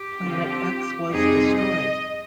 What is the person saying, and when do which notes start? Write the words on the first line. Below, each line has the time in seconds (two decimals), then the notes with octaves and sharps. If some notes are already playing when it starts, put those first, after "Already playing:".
Planet X was destroyed!
Already playing: G4
0.21 D3 F3 C4 F4
1.11 F2 C3 G3 C4 D#4 G#4
1.56 D#5